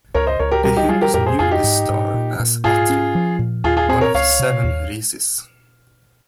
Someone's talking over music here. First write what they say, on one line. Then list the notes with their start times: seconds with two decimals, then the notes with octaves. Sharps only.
The Hindus knew this star as "Atri", one of the Seven Rishis.
0.14 C#2 A#4 C#5
0.27 C5 D#5
0.39 C#2 A#4 C#5
0.51 G4 A#4
0.64 G3 G4 A#4
0.77 D#4 G4
0.89 G3 F4 G#4
1.01 G4 A#4
1.14 F2 G4 A#4
1.26 G#4 C5
1.39 F2 F4 G#4
1.51 D#4 G4
1.64 G#2
1.89 G#2
2.14 A#2
2.39 A#2
2.64 G#2 F4 G#4
2.90 C#4
3.15 F3
3.39 A#2
3.64 D#2 F4 G#4
3.77 F4 G#4
3.89 C4 G#4 C5
4.01 A#4 C#5
4.14 C#2 C#5 F5
4.39 C3
4.64 D#2